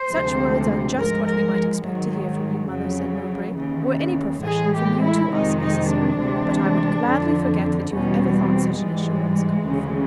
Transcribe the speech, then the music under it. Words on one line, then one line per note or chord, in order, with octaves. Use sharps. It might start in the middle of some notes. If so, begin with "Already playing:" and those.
"Such words are just what we might expect to hear from you, mother," said Mowbray, "were any profession from you to us necessary; but I would gladly forget that you have ever thought such an assurance called for."
Already playing: C5
D2 C3 F3 G#3
G#2 F3 G#3 A#4
A#4
G#2 D#3 F#3
F2 C#3 F#3
D#2 C#3 E3
A2 E3 G#3 G#4
G4
E4
F2 C3 D#3 G#3 D#4
D#4
D4
D2 C3 E3 G#3
F2 D3 F3
E2 B2 G3 C#4
C4
G#2 E3 G3 G#3
D2 C#3 E3